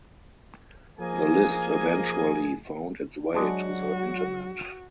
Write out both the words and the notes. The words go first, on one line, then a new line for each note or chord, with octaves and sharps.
The list eventually found its way to the Internet.
F3 A#3 G#4 D#5 G#5
F#3 G#3 D4 F#4